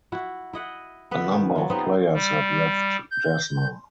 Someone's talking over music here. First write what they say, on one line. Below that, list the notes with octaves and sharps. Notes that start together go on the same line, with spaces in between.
A number of players have left Desna.
E4 F#4
E4 D#5 F#5
B3 B4
D#3
F#3 F4
B3 C4 D#4 G4
G3
G6